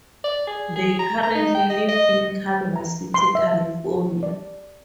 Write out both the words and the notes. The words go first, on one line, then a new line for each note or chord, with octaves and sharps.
They currently live in Culver City, California.
D5
G#4
G#4
A#5
A#5
D#4
G5
D#5
D#5
A#5
C6
E5
D5